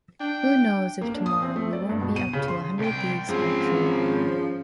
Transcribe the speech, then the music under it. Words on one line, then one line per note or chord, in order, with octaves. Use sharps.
Who knows if tomorrow we won’t be up to a hundred leagues offshore?
D4 G5
A#3
D4
D#6
C4
A3
D5
G2
B2
D#7
C#3
C6
C2 G5
G#2 F3 C4 C#4 G#4